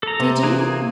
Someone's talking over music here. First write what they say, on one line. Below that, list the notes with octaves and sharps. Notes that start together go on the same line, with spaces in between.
Did you?
A4 A#5
C3
E3 A#3 G#4